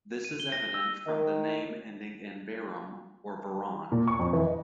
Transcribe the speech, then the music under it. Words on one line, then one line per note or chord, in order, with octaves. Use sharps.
This is evident from the name ending in "varam" or "varan".
D#7
G7
A#6
E6
D#3
A#2
C#6
F2
E3
D#5